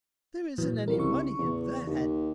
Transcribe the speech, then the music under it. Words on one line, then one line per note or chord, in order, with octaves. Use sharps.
"There isn't any money in that."
A#2 E3 F#3
C2 A#4
C#3 C#6
E2
D#2